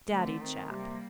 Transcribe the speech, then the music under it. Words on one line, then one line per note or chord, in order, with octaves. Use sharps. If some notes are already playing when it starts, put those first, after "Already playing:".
Daddy Jap.
D3 A3 C4
D#3
C3 G3 A#3